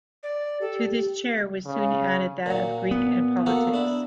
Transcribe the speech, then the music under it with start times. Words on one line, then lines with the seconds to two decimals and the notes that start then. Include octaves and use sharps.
To this chair was soon added that of Greek and politics.
0.23 D5
0.61 G4 A4
1.66 C#3
2.46 A#2 F#3
2.91 B3
3.46 A#3 F#4 A4
3.74 D4 E4